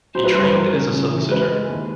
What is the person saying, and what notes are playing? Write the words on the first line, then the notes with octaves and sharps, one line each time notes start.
He trained as a solicitor.
F#3 C5
B4
G2 C5
B4
F#3 A#4
C#3
C#3
E3
G#3 B4
G#3
D#2